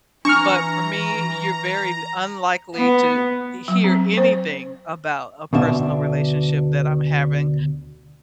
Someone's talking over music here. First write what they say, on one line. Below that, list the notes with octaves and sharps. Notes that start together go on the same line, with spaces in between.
but for me, you're very d unlikely to e hear anything about a personal relationship that I'm having.
E3 D4 A#5 C#6 F6
B3
F#3
C4
C5
D2 B2 D4 E5